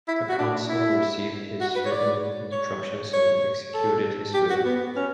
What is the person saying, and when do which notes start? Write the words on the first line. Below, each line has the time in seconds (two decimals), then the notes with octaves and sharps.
The council received his written instructions and executed his will.
0.08 E4
0.29 F#4
0.39 D4
0.69 E4
1.61 F#4
1.75 B4
1.85 C#5
1.91 D5
2.52 C#5
3.13 C#5
3.74 A4
4.34 G4
4.50 F#4
4.65 B3
4.96 C#4